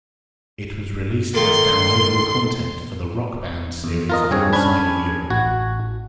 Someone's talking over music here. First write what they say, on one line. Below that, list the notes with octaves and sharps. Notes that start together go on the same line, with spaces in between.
It was released as downloadable content for the "Rock Band" series outside of Europe.
D#3 A3 A#3 C6
E2
F4 A#4 D#5
G2 C4 G#4 C#5
C#4 D4 B5 G#6
A1 F#4